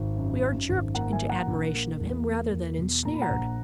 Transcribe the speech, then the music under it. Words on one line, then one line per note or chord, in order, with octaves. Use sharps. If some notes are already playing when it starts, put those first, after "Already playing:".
We are jerked into admiration of him, rather than ensnared.
Already playing: G#1
F#2
F#2
G#1
A#3 F#5 A#5
E5 G#5
A#3
F#5 A#5
A#1
A#3
E2
A#3
E2
B2
A#2 A#5
B5
F#5 A#5
A#1